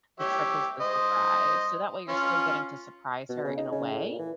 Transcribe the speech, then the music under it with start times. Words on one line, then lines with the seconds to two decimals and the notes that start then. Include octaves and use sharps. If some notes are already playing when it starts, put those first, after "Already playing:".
The trip is the surprise. So that way you're still getting to surprise her in a way.
0.20 G4 C#5 E5
0.81 C5 D#5
2.09 C#4 F4
3.29 B2
3.44 C#3
3.57 D#4
3.72 C#3
3.92 A2
4.06 A#2
4.18 E3